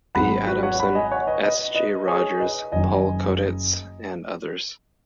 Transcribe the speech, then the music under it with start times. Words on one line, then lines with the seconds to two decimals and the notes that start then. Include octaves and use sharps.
B. Adamson, S. G. Rogers, Paul Koetitz, and others.
0.15 G#1 G#2 F#3 B3 F#5 B5
0.46 F#4 B4
0.63 C#5 F#5
0.80 F#5 B5
0.95 D#5 G#5
1.11 C#5 F#5
1.27 B4 D#5
1.43 B4 D#5
1.75 B4 D#5
2.07 G#4 C#5
2.40 B4 D#5
2.72 F#1 F#2 D#3 F#3 D#5 G#5